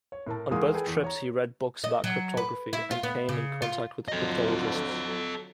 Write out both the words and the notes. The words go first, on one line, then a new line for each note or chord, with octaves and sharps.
On both trips, he read books about cryptography and came in contact with cryptologists.
C#5
A2 A#4 A5
E2 G#3 A#4 F5 D#6
G#4 A4 B4 G5
E2
C#5 A#5
D#5
F#3
B4
E4
F4
B3
C#3
F4
D3 F3 F#3 A4 D#5